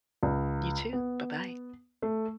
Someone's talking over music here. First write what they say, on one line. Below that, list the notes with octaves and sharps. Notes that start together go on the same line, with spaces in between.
You too. Bye-bye.
C#2
B3
A3